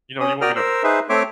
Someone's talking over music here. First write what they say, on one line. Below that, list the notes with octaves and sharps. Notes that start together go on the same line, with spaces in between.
you know, "you want me to
C#4 D#6
F#4 A#4 D5 G5 D#6 F6
A#4 C5 E6
D#4 G#4 B4 C5 E5
A3 C4 C#5 E5 C6 D6